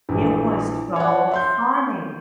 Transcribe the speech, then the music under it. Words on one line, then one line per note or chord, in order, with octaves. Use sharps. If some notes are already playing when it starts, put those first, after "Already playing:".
It was so funny.
A#1 E3
C#5 D5 F#5
E5 C6 G6